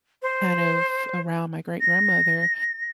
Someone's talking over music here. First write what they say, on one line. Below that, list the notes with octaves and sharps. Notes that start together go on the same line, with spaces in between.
kind of around my great-grandmother,
C5
A#6